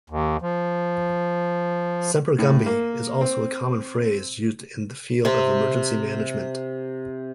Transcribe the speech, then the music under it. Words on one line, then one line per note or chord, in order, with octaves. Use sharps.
"Semper Gumby" is also a common phrase used in the field of emergency management.
D#2
F3
A2
A#3
C4
C3 C4